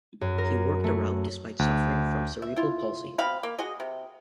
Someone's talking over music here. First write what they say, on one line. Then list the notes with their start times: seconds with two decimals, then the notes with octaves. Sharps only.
He worked a route despite suffering from cerebral palsy.
0.21 F#2
0.38 A#4
0.84 A3
1.59 D2
2.42 E5
2.56 E4 F4
3.18 B2 C4 F5 B5
3.43 A#3
3.59 F#4 G#4 D#5
3.80 C3